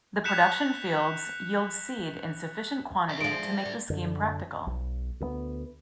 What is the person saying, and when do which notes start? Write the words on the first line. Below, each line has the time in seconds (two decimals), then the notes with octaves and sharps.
The production fields yield seed in sufficient quantity to make the scheme practical.
0.24 F#6 G6 B6 C#7 E7 F7
3.09 D5 E5
3.21 F3 G#3 D7
3.66 D3
3.90 F#2 D3
4.67 B1
5.20 D2 F3 B3